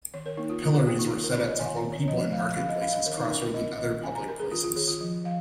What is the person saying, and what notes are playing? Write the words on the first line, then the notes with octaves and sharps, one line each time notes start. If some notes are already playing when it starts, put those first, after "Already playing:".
Pillories were set up to hold people in marketplaces, crossroads, and other public places.
D#3 C#5
A#4
A#3 D#4
F4
D#3 F4
G#4
A#3 F4
D#4
D#3 F4
A#4
C#4 C#5
D#5
D#3 G#5
A#5
D#3
C#5
F3 D#5
F3 F5
C#4 F5
D#5
C#4 F5
D#5
D#3 A#4
D#4
C#4 A#4
A#4
C#4 D#5
D#3 D#5
C#4 G#5
A#5
C#4 A#4
G#4
D#3 F4
F4
D#3 G#4
F4
F3
F3 F5